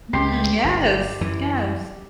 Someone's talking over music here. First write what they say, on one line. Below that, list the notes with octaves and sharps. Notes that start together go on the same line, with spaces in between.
Mm, yes, yes.
C#2 G4 C6
G1
F#2 E3